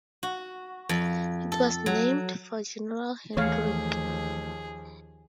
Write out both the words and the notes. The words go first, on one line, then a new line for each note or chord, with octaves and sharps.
It was named for General Hedrick.
F#4
F2
A4
F#3
D#2 E3 F3 A3 G#4 C#5 F5